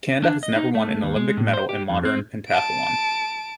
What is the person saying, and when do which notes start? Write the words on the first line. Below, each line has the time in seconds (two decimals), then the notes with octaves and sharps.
Canada has never won an Olympic medal in modern pentathlon.
0.24 D4
0.43 D#5
0.56 D#4
0.75 A3
1.04 D#2
1.16 G#3
1.37 A2
1.53 C5
1.69 G4
1.90 F2
2.05 C4
2.48 A5 D7